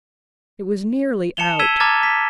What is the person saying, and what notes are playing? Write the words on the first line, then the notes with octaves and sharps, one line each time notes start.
It was nearly out.
A5 C#7 E7 F7 G7
E6 G#6 B6 D#7 E7 G7
A5 A#5 D6 F6 G#6 A6
B6